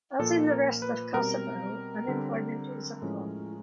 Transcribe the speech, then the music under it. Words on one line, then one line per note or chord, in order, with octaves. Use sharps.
As in the rest of Kosovo, unemployment is a problem.
A#2 F3 A#3 A4
A#4
B4
B2 G3 C4 A#4
D3 G3 C4
A2 F3 G#3 C#4